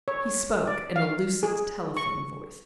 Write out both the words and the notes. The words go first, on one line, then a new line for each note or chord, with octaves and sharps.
He spoke in a lucid telephone-voice.
C#5
D5
F5
G#4
C#6